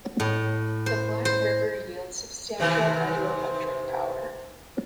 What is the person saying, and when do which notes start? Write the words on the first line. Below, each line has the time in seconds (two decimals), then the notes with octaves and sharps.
The Black River yields substantial hydroelectric power.
0.20 A2
0.86 C5
1.25 C5
2.60 C3 D#3 E3